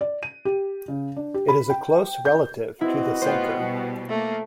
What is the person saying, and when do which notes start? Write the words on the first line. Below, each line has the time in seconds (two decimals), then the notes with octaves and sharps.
It is a close relative to the sinker.
0.01 D5
0.23 D#7
0.45 G4
0.88 C#3
1.16 D4
1.34 G4
1.48 B5
1.70 G5
2.25 G6
2.81 C4 E4 F#4 B4 D#5
3.22 A2 B3 F4 C5 G5
3.56 B2 G3
4.09 A3 A#3